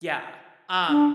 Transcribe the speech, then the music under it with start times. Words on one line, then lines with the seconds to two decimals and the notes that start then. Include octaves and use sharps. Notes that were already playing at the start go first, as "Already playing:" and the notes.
Yeah. Um,
0.89 D4